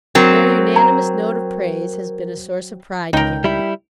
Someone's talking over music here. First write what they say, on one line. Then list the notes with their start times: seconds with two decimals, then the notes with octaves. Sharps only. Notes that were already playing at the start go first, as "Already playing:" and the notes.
Their unanimous note of praise has been a source of pride to him.
0.15 F#3 C4 A#4 G#6
0.76 A#5
3.13 C#2 D#4 A#4 G5
3.44 G3 E4